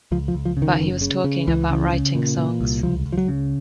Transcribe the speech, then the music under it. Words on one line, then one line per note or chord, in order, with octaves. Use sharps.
But he was talking about writing songs.
C#2 F3
F3
C#2
F3
C#3
D#3
F#1
C#3
C#3
C#2 E3
C#3
C#3
A#2
A#2
C2
C#2 F3
C#2
F3
F#3
C#3